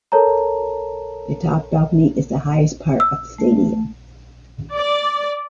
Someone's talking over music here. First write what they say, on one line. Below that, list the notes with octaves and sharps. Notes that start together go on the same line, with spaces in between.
The Top Balcony is the highest part of the stadium.
A4 A#4 C#5 A5 A#5
E6
A3
D5